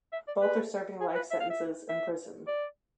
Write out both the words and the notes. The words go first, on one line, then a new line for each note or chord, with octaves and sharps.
Both are serving life sentences in prison.
E5
D5
B4
G#4
B4
E5
F5
E5
E5
D5